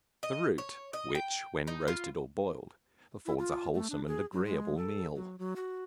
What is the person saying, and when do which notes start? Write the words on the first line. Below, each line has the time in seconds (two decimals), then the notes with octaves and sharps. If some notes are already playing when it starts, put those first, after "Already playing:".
The root, which, when roasted or boiled, affords a wholesome and agreeable meal.
0.23 D#5
0.58 C#5
0.93 D#5
1.15 G5
1.67 D#4
1.88 F4
3.26 E4
3.39 F4
3.74 A3
3.90 D4
4.08 G#4
4.32 F#3
4.45 G#3
4.77 A4
5.15 F#3
5.39 F#3
5.56 F#4